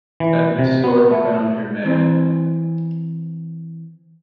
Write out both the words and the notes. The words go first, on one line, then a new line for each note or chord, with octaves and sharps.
At Miss York found her man.
E3
C3
B3
A3
E3 C4 C5